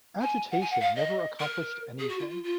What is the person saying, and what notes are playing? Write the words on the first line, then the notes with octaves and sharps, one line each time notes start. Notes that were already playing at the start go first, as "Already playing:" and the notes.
Agitation never accomplished anything.
G#5
F#5
G#5
F#5
F5
D#5
A#4
G#4
F#4
F4
F4
F4